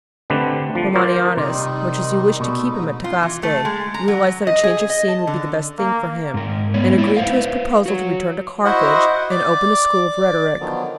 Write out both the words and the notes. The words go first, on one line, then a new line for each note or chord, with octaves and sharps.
Romanianus, much as he wished to keep him at Tagaste, realized that a change of scene would be the best thing for him, and agreed to his proposal to return to Carthage and open a school of rhetoric.
D3 A3 C4 G4 B4
F3
F4 A#4 C5 D5
C3 D#3 G3 D#4
B2 A3
G#2 D#4
F4
E3
A3
G#3
A#5
F#3
D#5
G#4
D#5
A5
D3
A#3
G#2 A#4
G#3 B3 C#5
A#3 E4 F4 D5
B4 C5 F5
F#4 C#5
E4 F#4 C5 D#5 E5 F#5
D5 D6
D3 D#3 F3 F#3 B3